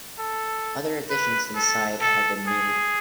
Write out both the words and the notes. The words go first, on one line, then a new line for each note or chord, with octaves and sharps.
Other additions to the site have been made.
A4
B4
A4
A4
G#4